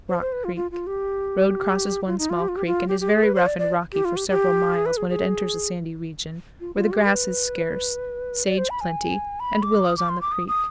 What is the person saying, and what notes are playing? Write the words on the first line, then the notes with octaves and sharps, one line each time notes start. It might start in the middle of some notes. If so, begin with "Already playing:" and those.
Rock Creek.--Road crosses one small creek, and is very rough and rocky for several miles, when it enters a sandy region, where the grass is scarce; sage plenty, and willows on the creek.
C5
C5
B4
F4
F4
F4
G4
F4
D#4
F4
G4
F4
G4
F4
G4
G4
G#4
B4
C5
D5
D5
G4
F4
G4
G4
G#4
B4
G#4
G#4
F4
F4
G4
B4
D5
C5
B5
G#5
B5
D6
D#6
D6
C6
D6
D#6
D#6